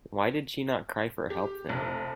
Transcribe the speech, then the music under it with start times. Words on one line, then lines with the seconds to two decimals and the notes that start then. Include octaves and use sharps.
Why did she not cry for help then?
1.30 G4
1.69 F1